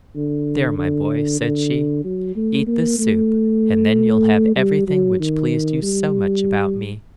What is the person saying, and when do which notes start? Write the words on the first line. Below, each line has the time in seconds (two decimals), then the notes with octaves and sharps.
'There, my boy,' said she, 'eat this soup and then you'll have everything which pleased you so much about me.
0.16 D3
0.78 D3
1.41 D3
2.04 F#3
2.36 A3
2.67 A#3
2.99 A3
4.56 G3
4.88 F#3
5.20 D#3
5.83 G3